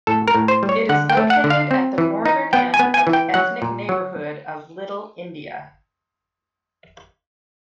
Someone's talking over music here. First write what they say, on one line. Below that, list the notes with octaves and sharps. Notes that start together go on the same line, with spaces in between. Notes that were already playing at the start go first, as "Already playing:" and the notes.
It is located at the northern end of the ethnic neighbourhood of Little India.
A2 A4
A#4
A2
C5
G3
C#5
D3 F#5
G5
A3
F#5
D3
F5
C4
E3
D#4
B3 G5
G#5
B3
G#5
E3
G5
F#3 F#5
A#2
F#3